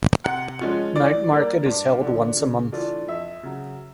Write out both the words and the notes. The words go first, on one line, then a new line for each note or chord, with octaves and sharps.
Night market is held once a month.
C3 F#5
F3 G#3 C#4 F4
E3 D5
G3 A#3
G2
D3 F3
C#3
E3 A3 D4 F4
F2 E5
C#3 F#3